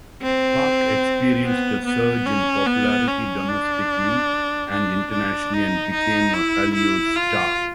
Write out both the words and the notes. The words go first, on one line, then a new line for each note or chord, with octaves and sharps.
Park experienced a surge in popularity domestically and internationally, and became a Hallyu star.
C4
B3
B3
C#4
B3
C#4
D4
D4
D4
D#4
D#4
E4
E4
F4